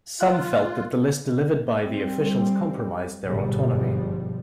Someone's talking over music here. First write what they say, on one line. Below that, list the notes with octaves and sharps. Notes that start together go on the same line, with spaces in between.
Some felt that the list delivered by the officials compromised their autonomy.
F4 F5 F#6
G3 C4
G1 G#2 B2 F3 G3